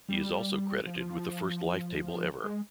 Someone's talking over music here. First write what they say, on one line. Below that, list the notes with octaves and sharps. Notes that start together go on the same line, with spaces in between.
He is also credited with the first life table ever.
G3
F3
G#3